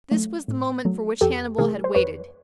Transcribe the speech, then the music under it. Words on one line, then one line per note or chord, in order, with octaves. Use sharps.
This was the moment for which Hannibal had waited.
F#3 A3
A2
F#3 A3
F2 G4 A4
C3 E3 A3 G#4 A#4
C5
F2 B4 C#5